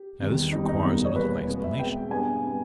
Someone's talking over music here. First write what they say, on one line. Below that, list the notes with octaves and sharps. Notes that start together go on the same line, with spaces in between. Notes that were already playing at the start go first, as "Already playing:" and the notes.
Now this requires a little explanation.
Already playing: G4
E2 D#3 G3
E2 D#3 G3 D#4
D#4
E2 B2 G3 A#3
C#5
E2 B2 G3 A#3 B4
B2 G#3 B3
E5
B2 G#3 B3 G5
G2 G3 B3 G#5
G3 B3